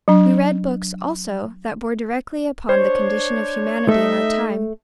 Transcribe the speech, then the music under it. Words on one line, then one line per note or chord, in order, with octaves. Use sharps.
We read books, also, that bore directly upon the condition of humanity in our time.
F#3 D4
D4 C5 C#5
A3 D#4 D#5 E5